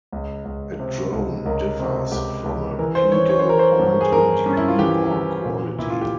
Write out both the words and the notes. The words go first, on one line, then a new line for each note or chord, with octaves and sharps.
A drone differs from a pedal point in degree or quality.
C#2
C#2
C3
C#2
C#2 A#4
C3
C#2 G4
C#2
E3 A#4
C5
E3 C#5
C#5
C5
E3 A#4
C5
G2
G#4
G2 A#4
G2 C#4
E4
F4
E3 G4
E3
A#2
A#2 E4
F4
G4